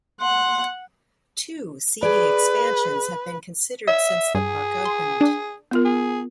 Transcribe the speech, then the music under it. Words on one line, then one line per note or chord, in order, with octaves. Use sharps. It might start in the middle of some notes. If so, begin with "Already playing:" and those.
Two seating expansions have been considered since the park opened.
F#5 C6
G#4 B4 D5
C#5 E5
G2 G#4
C6
D4
B3 F4 A#4
G#4